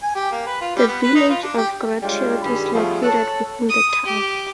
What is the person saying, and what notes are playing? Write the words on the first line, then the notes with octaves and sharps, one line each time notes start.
The Village of Gratiot is located within the town.
G#5
G4
A#3
B4
F4
G3
B3
B4
D#4
F4
D4
G4
G3 G#3 D4 F4 C#5 G5
G2 D#3 G3 G#4 B5
F3 G3 A3 B3 F4 G#4
A4 C#5 F#5 A5
D#6
G4